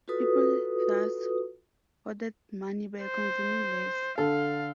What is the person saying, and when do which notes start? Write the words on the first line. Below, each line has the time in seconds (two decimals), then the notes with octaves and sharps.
People thus hoarded money by consuming less.
0.08 F4 F#4 A4 B4 D#6
3.03 C5
4.18 D3 A4 F5